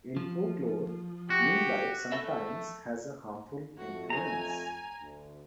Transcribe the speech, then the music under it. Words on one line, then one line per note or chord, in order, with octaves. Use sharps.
In folklore, moonlight sometimes has a harmful influence.
F3
F#4 G4
A3 A4 B4 E5
F2 A3 F#4
G#5 A#5
D2